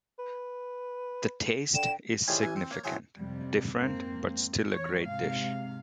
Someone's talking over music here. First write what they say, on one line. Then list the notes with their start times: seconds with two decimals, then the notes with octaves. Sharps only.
The taste is significant different but still a great dish.
0.19 B4
1.75 D3 G5 E7
2.28 A2 D#3 G3 G#4 C5 C#5
2.40 A1 E3 G#5
2.56 C4
2.71 A#3 C#5
2.84 A2 F#3 G#4 C5 C#5
3.17 F2 C3 G3
3.79 F2 G#2 A#3 C4
4.71 E2 C#5
5.02 G#2 C3 F5